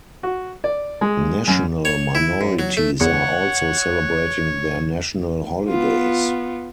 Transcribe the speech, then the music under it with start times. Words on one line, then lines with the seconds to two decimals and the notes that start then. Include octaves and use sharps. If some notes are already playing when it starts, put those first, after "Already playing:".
National minorities are also celebrating their national holidays.
0.23 F#4
0.64 D5
1.01 G#3
1.48 F#2
1.85 C#5
2.15 E4
2.41 F#2
2.59 F#3
2.77 A3
3.01 E2 C#5 F#5
5.69 B3 F4